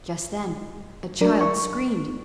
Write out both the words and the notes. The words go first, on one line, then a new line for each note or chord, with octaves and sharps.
Just then a child screamed.
F#3 D4 A#4 D5
C#6